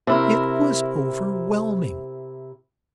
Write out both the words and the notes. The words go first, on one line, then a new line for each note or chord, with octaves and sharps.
It was overwhelming.
C3 E4 A#4